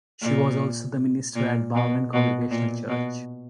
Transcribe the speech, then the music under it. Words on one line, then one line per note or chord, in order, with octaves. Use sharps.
She was also the Minister at Balmain Congregational Church.
A#2
A#2
B2
B2
A#2
B2